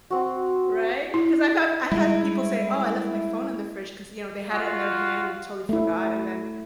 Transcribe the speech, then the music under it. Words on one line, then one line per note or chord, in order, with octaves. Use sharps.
Right? 'Cause I've have I've had people say, "Oh, I left my phone in the fridge," 'cause, you know, they had it in their hand and totally forgot, and then
C4 F#4
E4
G3 G#3 E4
F4 F#4
A3 E4